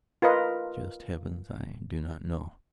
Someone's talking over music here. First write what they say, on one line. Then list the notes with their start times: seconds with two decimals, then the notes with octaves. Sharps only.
Just Heavens, I do not know.
0.22 F4 A#4 B4 D#5